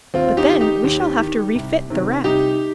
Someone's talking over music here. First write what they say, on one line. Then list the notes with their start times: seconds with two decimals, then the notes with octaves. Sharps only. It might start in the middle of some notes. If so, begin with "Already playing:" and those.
"But then we shall have to refit the raft."
0.14 D#2 C4 F4
0.37 D#4 G4
0.49 D#3
0.61 D#4 G4
0.84 D#2
1.19 D#3
1.55 C2
1.90 C3 D#3
2.24 C2 D#4 G4